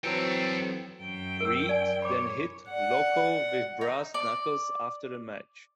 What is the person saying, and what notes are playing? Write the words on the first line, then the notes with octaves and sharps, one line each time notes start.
Reed then hit Loco with brass knuckles after the match.
E3 F#3 C4 A4 G5
F#2 G5
A#4 E6
D5 G#5
C#5 B5 D6
D5 F#5
D#4
D5